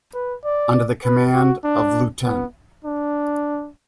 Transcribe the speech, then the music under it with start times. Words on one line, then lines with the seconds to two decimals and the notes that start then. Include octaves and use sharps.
Under the command of Lieut.
0.14 B4
0.44 D5
1.04 B4
1.34 F#4
1.64 D4
2.24 B3
2.84 D4